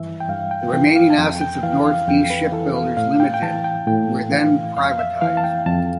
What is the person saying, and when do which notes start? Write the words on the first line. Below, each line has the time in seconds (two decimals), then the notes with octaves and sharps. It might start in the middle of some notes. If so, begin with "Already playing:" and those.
The remaining assets of North East Shipbuilders Limited were then privatised.
Already playing: G2 E3 E5
0.20 G5
0.29 G2 F5
0.51 G5
0.73 E3 G5
0.96 F5
1.10 A5
1.18 F2 G5
1.41 G5
1.63 E3 F5
1.86 F5
2.08 F2 G5
2.30 B4
2.53 E3 A4
2.76 F5
2.97 A2 F5
3.20 G5
3.34 G5
3.42 E3 A5
3.64 G5
3.87 A2 G5
4.31 E3 F5
4.77 F2 F5
4.99 E5
5.21 E3 F5
5.37 A5
5.44 G5
5.66 F2 A5